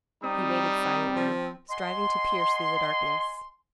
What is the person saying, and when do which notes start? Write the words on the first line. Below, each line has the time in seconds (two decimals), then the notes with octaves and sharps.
He waited silently, striving to pierce through the darkness.
0.24 G3 C4 D#4 A#5 D#6
1.16 F3
1.70 D#5 F#5 G#5 C6